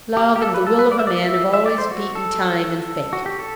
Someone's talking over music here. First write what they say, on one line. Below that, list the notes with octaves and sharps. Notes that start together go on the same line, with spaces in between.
Love and the will of a man have always beaten Time and Fate.
G4
G4
A4
B4
A4
B4
D5
E5
D5
E5
E5
D5
C5
F#4
A4
F#4
G4
A4